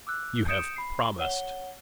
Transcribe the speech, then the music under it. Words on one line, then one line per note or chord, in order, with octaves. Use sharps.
"You have promised!"
D6 E6 F#6
D#6 G6 C#7 D7 E7
B5 C7
C#5 F#5 G7